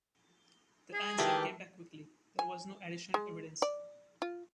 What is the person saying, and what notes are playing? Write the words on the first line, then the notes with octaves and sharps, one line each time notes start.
The answer came back quickly: There was no additional evidence.
G#4
D#3 E3 A3 G4
G#5
G#3
D5
F4